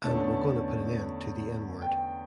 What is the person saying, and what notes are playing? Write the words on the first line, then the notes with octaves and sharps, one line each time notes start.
And we're gonna put an end to the n-word.
E2 D3 A3 C#4 A5
G5